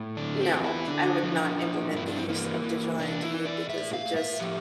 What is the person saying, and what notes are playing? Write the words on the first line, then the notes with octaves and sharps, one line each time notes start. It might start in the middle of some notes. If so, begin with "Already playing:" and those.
No, I would not implement the use of digital ID, because it just uh,
Already playing: A2
D3 D4
C4
E2
E4
D3 D4
F3
F3
G2 E4
D4
C4
E3 A#3
E3
E2 D4
E4
E3
D5
A2 E5
F5
A2
E5
F3 G4